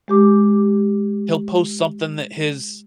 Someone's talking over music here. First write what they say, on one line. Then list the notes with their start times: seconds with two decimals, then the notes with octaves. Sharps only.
he'll post something that his
0.08 G#3 G4 D6